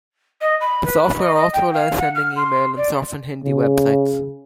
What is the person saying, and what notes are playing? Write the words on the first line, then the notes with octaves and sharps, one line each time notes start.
The software also allows sending email and surfing Hindi websites.
D#5
B5
B4
B5
D#5
D#5
G5
F5
F#5
F6
C6
D5
C#3